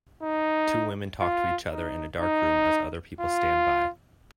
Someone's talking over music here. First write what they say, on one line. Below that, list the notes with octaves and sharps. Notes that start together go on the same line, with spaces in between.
Two women talk to each other in a dark room as other people stand by.
D#4
F4
D#4
D#4
F4